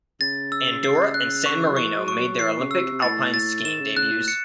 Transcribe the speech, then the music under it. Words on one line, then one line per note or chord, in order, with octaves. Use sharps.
Andorra and San Marino made their Olympic alpine skiing debuts.
C#3 A6
E6
C7
F#6
C#6
F#3
E3 C#6
F#3
C#6
F#3
E3 C7
C#3
E6
C3
C3
A2 A6
A6
D#3 E7
C#3
C#3 F#6
A2
C#7